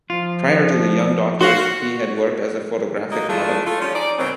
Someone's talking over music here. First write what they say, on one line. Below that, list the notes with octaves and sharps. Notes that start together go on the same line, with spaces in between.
Prior to "The Young Doctors" he had worked as a photographic model.
F3 F4
F#4 F5 C6
A#3 D#4 F#4 D#5
A3 D4 E4 F4 G#4
A3 F4 A4
F3 G3 C#4
D#4 G#4 D5
B2 D#3 F#3 C4